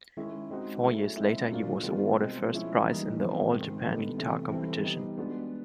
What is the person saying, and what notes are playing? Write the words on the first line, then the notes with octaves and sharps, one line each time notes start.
Four years later, he was awarded First Prize in the "All Japan Guitar Competition".
D#3 G#3 C#4 E4
G#3 C4 D#4 F#4
C#3 F#3 A3 C#4 E4
G#3 C4 E4
A#2 F#3 A#3 D4 F4
D#3 G3 B3 D4 F4
B2 G#3 C4
F3 G#3 C#4 E4
E3 G3 A#3 D#4
E2 C3 F3
G#2 D#3 G#3 C4
D3 G3 B3 D#4
C3 E3 A3
E3 G3 C4 E4 A4
G3 B3 D#4 G4
G#3 B3 D4 F#4 B4